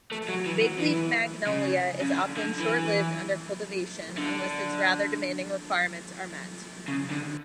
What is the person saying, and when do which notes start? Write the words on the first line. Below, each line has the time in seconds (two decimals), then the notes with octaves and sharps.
Bigleaf magnolia is often short-lived under cultivation unless its rather demanding requirements are met.
0.11 A3
0.29 F#3
0.46 E3
0.62 F#3
0.79 E3
1.47 C#3
2.01 C#3
2.14 D3
2.37 D3
2.60 E3
4.18 D3
6.88 C#3
7.11 D3